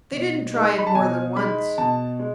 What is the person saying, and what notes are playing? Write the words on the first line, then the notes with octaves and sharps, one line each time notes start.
They didn't try it more than once.
B2
G#3 D#4
B5
A5
B2 G#5
G#3 D#4 B5
B2 A5
G#3